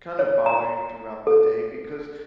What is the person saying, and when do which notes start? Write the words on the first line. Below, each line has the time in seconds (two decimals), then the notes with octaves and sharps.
kinda bother you throughout the day because
0.19 C#5
0.46 A#5
1.27 A4